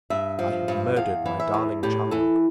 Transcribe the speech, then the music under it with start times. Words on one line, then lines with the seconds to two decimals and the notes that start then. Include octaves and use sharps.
I have murdered my darling child!'
0.10 G2 E5
0.39 F3
0.68 G2
0.96 E2 F5
1.26 E3
1.40 E5
1.54 E2
1.83 A2 G4
2.11 E3 A4